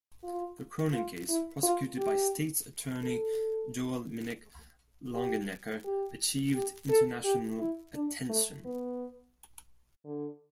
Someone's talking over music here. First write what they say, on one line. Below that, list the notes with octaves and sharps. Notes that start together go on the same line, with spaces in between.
The Cronin case, prosecuted by State's Attorney Joel Minnick Longenecker achieved international attention.
F4
F4
E4
F4
G4
A4
G4
G4
G4
A4
G4
E4
D4
A3
B3
D3